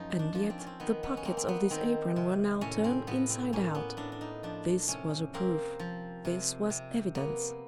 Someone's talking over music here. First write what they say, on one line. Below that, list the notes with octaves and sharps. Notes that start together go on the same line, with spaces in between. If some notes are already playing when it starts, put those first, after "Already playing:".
And yet the pockets of this apron were now turned inside out; this was a proof, this was evidence.
Already playing: F#2 F3 D#4
D4
F3
C4
C#4
C4
D#3 B3
B3
C#4
A#3 C4
C4
B3
D#3 C4
C3
A2 C#4
C4
A2 B3
C4
A#3 C#4
B3
A2 D4
D4
D#4
F3 D4
C3 C#4
A#3 C4
F3
C3
C3
A#3 B3